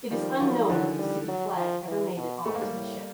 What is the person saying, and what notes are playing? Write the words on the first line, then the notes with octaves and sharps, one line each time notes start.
It is unknown if the city flag ever made it on to the ship.
D#3 F3 G3
D#3 F3 F#3
D3 E3 F#3
G3
F#3
F3
E3
B2
G#2 A3
A#3
G3 A3
A2